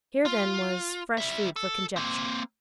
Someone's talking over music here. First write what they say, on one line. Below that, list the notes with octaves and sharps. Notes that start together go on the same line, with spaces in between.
Here then was fresh food for conjecture.
F4
G3 E5
A4
A#3 C4